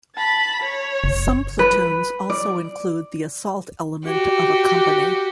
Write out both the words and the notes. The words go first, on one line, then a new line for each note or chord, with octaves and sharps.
Some platoons also include the assault element of a company.
A5 B5
C#5
F#1
B4
D5
F#4 G4